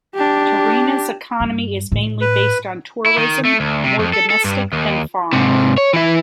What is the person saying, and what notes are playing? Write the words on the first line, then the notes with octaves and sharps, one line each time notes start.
Tirrenia's economy is mainly based on tourism, more domestic than foreign.
D4 G4
G2
A2
B4
E4
D#3
A3
D2
C3
F2
A4
A4
G2
D#2
G#2 C3
C#5
E3 E4